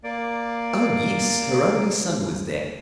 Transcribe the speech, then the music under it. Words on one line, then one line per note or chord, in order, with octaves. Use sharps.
Oh! yes: her only son was there.
A#3 D5